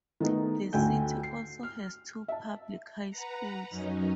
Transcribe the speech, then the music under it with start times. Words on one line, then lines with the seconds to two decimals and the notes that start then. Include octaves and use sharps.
The city also has two public high schools.
0.20 D#3 A3 B3 D#4
0.73 D2 D3 A3 G5 G#5 G6
1.23 C7
1.63 F6
2.28 E5 A5
3.09 B4 F#5 A#5
3.70 F#2 F#3 C#4 D#4